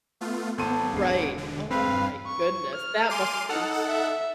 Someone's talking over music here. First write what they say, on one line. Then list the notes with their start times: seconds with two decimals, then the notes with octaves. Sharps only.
Right, oh my goodness, that must have been s
0.21 A3 B3 F4
0.58 G#1 B3 A4 A5 C6 G6 D#7
0.93 E1 C7
1.38 D3
1.71 G2 C4 B4 F5
2.27 C#6
2.75 F6
3.09 G#5 C6 D6 D#7
3.49 D#4 A4 F#5
3.88 E5